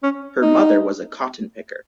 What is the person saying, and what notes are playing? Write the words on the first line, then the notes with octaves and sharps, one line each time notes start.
Her mother was a cotton picker.
C#4
D#4